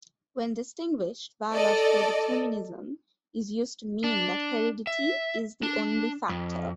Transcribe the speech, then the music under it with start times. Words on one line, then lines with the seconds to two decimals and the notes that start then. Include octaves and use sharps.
When distinguished, biological determinism is used to mean that heredity is the only factor.
1.54 A4 D5 D#5
4.04 D4
4.87 E5
5.63 D4
6.29 F2